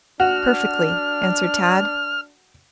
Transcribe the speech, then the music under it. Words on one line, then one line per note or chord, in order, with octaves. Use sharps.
"Perfectly," answered Tad.
D4 F#4 F6